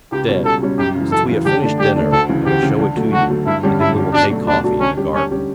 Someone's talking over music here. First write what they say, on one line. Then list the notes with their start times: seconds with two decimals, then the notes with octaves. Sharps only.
Stay, since we have finished dinner, I will show it to you, and then we will take coffee in the garden.
0.12 C#2 G4
0.28 B2 G3 C#4
0.45 C#2 A4
0.62 B2 G3 C#4
0.78 F#2 G4
0.95 C#3 E3
1.12 F#2 A4
1.29 C#3 E3
1.46 D3 G4
1.62 A3 D4
1.79 D3 G4
1.96 A3 D4
2.12 D2 A4
2.29 C#3 E3
2.46 D2 G4
2.63 C#3 E3
2.80 D3
2.96 F#3 A3
3.13 D3 F#4
3.30 F#3 A3
3.46 G2 E4
3.63 D3 G3 C#4 G4
3.80 G2 E4
3.96 D3 G3 C#4 G4
4.13 B2 D4
4.30 F#3 A3 D4 F#4
4.47 B2 D4
4.64 F#3 A3 D4 F#4
4.80 D3 C#4
4.96 G3 C#4 G4
5.14 D3 C#4
5.30 G3 C#4 G4